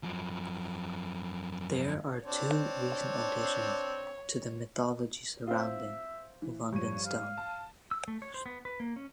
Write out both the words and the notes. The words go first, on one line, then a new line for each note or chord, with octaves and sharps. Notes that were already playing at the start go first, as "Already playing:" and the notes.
There are two recent additions to the mythology surrounding London Stone.
F#2 F3
C4 D4 C#5
C4 F4 E5
E3
G2 F3 C#5 D#7
F5
A5
E6
A3
C#5
C5
B3
B4
A#3
C#4